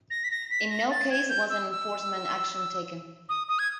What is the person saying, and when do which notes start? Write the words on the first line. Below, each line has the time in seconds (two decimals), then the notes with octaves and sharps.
In no case was an enforcement action taken.
0.10 A#6
0.24 B6
0.31 A#6
0.51 B6
0.70 A#6
0.91 A6
1.11 G#6
1.29 G6
1.50 E6
1.70 E6
3.29 D#6
3.48 D#6
3.59 G#6